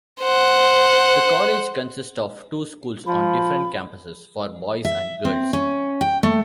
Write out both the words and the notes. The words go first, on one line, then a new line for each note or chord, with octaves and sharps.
The college consists of two schools on different campuses for boys and girls.
C5 F#5
F3 B5
E5
C4
C#4
G5
A3